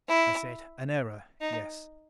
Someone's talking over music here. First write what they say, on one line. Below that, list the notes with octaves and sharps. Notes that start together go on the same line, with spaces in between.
I said, "An error--yes."
E4
D#4